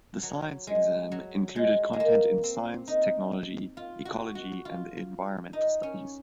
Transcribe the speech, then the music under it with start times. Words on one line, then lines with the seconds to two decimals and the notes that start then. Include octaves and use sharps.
The Science exam included content in science, technology, ecology and the environmental studies.
0.23 F#3
0.67 G#3
1.12 F#3
1.56 G#3
1.93 G#3
2.00 A#3
2.44 C4
2.88 D#4
3.77 F4
4.05 F#4
4.35 F#4
4.65 F4
5.53 D#4
5.83 C#4